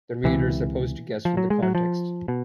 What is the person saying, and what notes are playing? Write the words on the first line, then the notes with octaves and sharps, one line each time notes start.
The reader is supposed to guess from the context.
C#2 C3 E3
F3
F#3
G#3
F#3
F3
B2